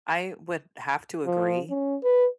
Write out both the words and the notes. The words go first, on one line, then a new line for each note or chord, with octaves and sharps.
I would have to agree
F3
C#4
B4